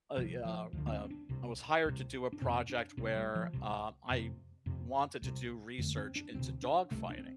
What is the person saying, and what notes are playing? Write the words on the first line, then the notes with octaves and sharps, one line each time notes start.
a, uh, uh I was hired to do a project where, uh, I w wanted to do research into dogfighting,
C2 C3 F3
F3
D2 D3 F3
A3
C4
C4
D4
C2 C3
C2 C3
D4
F2 C3 C4
D4
C2 C3 C4
G3
F3
C2 C3
F2 C3
F2 C3
C2 C3
F2 D3 A3
C4
D4
D2 C3 C4
D4
C2 C3 A3
D4
C4